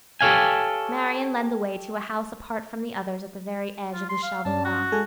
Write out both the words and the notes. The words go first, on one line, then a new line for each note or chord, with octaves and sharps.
Marian led the way to a house apart from the others at the very edge of the shelving rock.
G4 A4 C#5 F5 G#5
F4
C6
F5
G2 C#4 D5 A5
F#4
G#3 A4 G#5